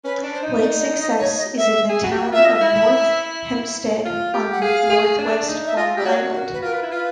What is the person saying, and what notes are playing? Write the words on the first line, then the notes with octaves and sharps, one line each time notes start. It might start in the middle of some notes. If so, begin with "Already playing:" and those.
Lake Success is in the Town of North Hempstead on northwest Long Island.
C#4 B4
D4
C5
D#4
D5
D#5
D#5
C#5
D#5
E5
G#4
F#4
G4
F#4
F4 E5
D#5
E5
E4
F4
G4
F#5
G#4 F5
G#4
D4
D#4
E5
F4 D#5
G4 D5
F#4 C#5
F#4 A#4
B4
F4 A#4
B4
E4
F4 B4